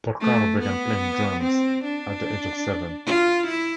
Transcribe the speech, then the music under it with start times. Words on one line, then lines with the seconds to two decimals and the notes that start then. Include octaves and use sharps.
Porcaro began playing drums at the age of seven.
0.20 A3
0.61 B3
1.43 C4
1.84 D4
3.06 F4
3.47 E4